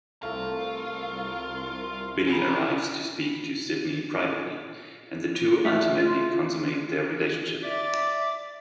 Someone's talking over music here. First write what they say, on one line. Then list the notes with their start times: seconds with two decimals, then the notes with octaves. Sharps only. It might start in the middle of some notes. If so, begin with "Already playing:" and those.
Billy arrives to speak to Sidney privately, and the two ultimately consummate their relationship.
0.23 C2 A3 F4 A#4
2.27 F#4 G#4 C5 A#5 B5
5.65 A3
5.97 F4
7.63 D5 E5 D6